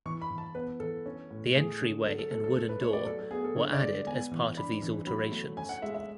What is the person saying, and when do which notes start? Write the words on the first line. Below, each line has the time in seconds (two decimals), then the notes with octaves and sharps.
The entry way and wooden door were added as part of these alterations.
0.06 E3 C#6
0.22 B5
0.30 E3
0.38 A5
0.55 B3 B4
0.80 E3 A4
1.06 C#4
1.31 A2
1.55 A3 G#4
1.81 D3
2.06 F#3 A4
2.19 A4
2.31 A3 A4
2.44 A4
2.56 A3 A4
2.69 B4
2.81 A3 C#5
2.93 D5
3.06 F#3 A4
3.19 A4
3.31 B3 G#4
3.44 A4
3.56 D3 C#5
3.73 D5
3.81 G#3
4.07 B3 G#5
4.32 E3
4.57 D4 B5
4.82 E3
5.07 F#3 B5
5.31 A3
5.57 C#4 G#5
5.69 F#5
5.82 G#3 E5
5.94 E5